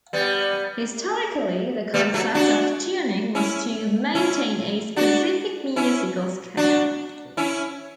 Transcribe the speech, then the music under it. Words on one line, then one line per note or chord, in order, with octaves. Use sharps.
Historically, the concept of tuning was to maintain a specific musical scale.
G3 B3
G3 B3
F#3 A3
D4 F#4
C#4 E4
C#4 E4
D4 F#4
C#4 E4
D4 F#4
C#4 E4